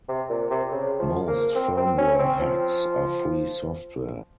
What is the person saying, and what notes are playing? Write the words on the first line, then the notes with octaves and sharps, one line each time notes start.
Most firmware hacks are free software.
C3
A#2
C3
C#3
F3
A#3
C4
C4
C#4
C4
F3